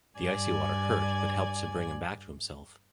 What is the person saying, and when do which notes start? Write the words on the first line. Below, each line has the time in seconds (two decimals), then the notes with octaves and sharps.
The icy water hurt, but helped to bring him back to himself.
0.19 G2 D5 G#5 G#6